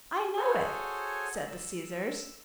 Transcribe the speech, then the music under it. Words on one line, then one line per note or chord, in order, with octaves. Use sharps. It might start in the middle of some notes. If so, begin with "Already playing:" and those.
"I know it," said the scissors.
F#4 G#4 A4 C5 C#5 G#5
E6